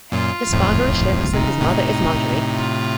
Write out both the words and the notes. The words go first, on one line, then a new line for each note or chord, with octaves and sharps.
His father is Seamus and his mother is Marjorie.
F#2 A#2 F4
F2 A2
C3 D#4
C#3
A2 C3
F4